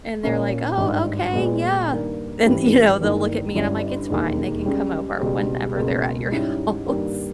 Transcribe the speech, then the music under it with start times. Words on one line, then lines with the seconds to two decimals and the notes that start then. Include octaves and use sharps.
And they're like, "Oh, okay, yeah." And, you know, they'll look at me, and I'm like, "It's fine. They can come over whenever they're at your house."
0.23 A#2 A#3 C#4
0.78 G#1 G2 D#3
1.33 A#2 G#3 B3
1.89 G2 D#3 A#3
2.45 G#1 G2 E3 G3 C#4
3.00 G1 G2 D#3 A#3 E4
3.55 G1 G2 G3 C#4 E4
4.10 E1 D#2 D#3 A#3
4.66 C#2 C#3 G3
5.21 C#2 B2 G3
5.76 C#2 B2 A#3
6.32 G#2 G3 C#4 E4
6.87 G2 D#3 G3 A#3